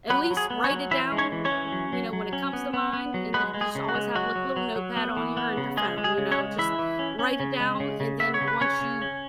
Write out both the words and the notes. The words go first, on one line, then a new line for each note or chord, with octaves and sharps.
at least write it down, uh, w you know, when it comes to mind and a just always have, like, little notepad on your on your phone, you know, just write it down and, then once you
F#3 B3 B4
F#3
G#4
B3
C#4 C#5
F#3
E3 E4 E5
G#3
C#4 C#5
E3
C#4 C#5
E3
F#3
F#3
F#3
C#4
B3
B3
B3
F#3
G#3 B3 B4
G#3
G#4
C#3
F#4
G#3
F#3 F#4
F#3
F#3
F#3
B3
E3
B3
C#3
G#3 G#4
G#3
G#4
C#3
C#4 C#5
G#3
E3 E4 E5
E3
C#4
C#4
C#3
G#3
C#3
C#3
B3 E5
C#5
C#3
B4
C#3 C#4 C#5
C#3
C#4